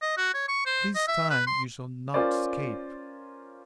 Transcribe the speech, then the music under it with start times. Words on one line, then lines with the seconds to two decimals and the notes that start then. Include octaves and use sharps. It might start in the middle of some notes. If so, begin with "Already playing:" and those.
This time you shall not escape.
0.02 D#5
0.17 F#4
0.34 C#5
0.48 C#6
0.66 C5
0.95 D#5
1.08 E5
1.30 B4
1.47 C6
2.14 C#4 F4 A#4 C5 D5